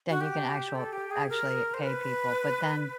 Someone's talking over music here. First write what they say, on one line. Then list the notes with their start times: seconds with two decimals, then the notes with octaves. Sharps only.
then you can actual actually pay people, but then
0.10 F#4
0.21 G4
0.75 A4
0.93 G4
1.11 G#4
1.29 A#4
1.74 C5
1.83 B4